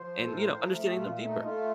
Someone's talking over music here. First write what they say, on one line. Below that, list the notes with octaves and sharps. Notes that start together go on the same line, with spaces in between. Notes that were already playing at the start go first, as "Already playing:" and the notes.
And, you know, understanding them deeper.
Already playing: F3 C5
A2 A4
A#4
F3 C5
A#4
A3
G4
A#2 F4
A3
D#4
A3 F4